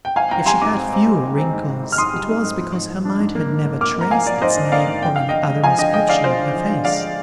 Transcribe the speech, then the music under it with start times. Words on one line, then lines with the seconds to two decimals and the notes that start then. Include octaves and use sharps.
If she had few wrinkles, it was because her mind had never traced its name or any other inscription on her face.
0.05 G5
0.16 G#1 F5 G#5
0.31 G#1 G5 A#5
0.46 G3 G#5 C6
0.61 G#2 A#5 D6
0.77 C4
0.92 C4
1.07 G3
1.23 G#1
1.38 C4
1.53 G#2
1.68 G#1
1.83 G#1
1.92 F6
1.98 G#2 C6 D#6
2.14 G3
2.29 G#2
2.44 G#2
2.60 F3
2.75 G#2
2.90 F3
3.05 D4
3.20 G#2
3.35 A#3
3.50 G#2
3.66 G#2
3.81 A#3 D6 F6
3.96 A#3 A#5
4.11 F3 F5 G#5
4.26 F3 D5
4.41 G#2 C5 D#5
4.57 D4
4.72 A#3 D5 F5
4.87 G#2
5.03 F3 G5
5.16 D3 F5
5.29 D3 D#5 G5
5.48 G#3
5.63 F3 F5 G#5
5.78 D3 D#5 G5
5.94 G#3 D#5 G5
6.09 D3 D5 F5
6.24 F3 C5 D#5
6.39 D3
6.54 F3
6.70 D3
6.84 G#3 D5 F5